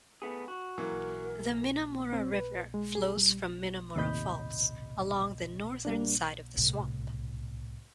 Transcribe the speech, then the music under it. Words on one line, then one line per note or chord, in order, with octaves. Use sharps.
The Minnamurra River flows from Minnamurra Falls along the northern side of the swamp.
A3 B3 G#4
F#4
E3 F#3 A#3 A#4
C4
B4
G#3
G#4
G3
D#2 A2 C3 D#5 B5 G6
G3 A#3 D4
C2 A2